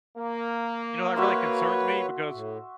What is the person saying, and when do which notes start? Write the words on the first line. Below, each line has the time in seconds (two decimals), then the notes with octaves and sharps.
you know, that really concerns me because
0.18 A#3
1.16 F#4 B4 C#5 E5 C6
2.31 A2